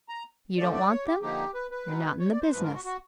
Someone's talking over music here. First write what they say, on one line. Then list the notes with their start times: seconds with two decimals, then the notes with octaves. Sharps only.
You don't want them--you're not in the business.
0.09 A#5
0.57 D3 F3 A3 D5
0.73 D5
0.90 C#5
1.06 G4
1.22 D3 F3 A#3 D#4 G4
1.54 B4
1.71 B4
1.87 B2 G#3 B3 D#4
2.19 C#5
2.30 D5
2.41 C5
2.52 G#2 F3 G#3 B4
2.63 A#4
2.74 F#4
2.84 F#4